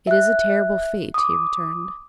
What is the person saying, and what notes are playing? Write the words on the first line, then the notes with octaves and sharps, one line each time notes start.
"It is a terrible fate," he returned.
E5 F#6
D6 D#6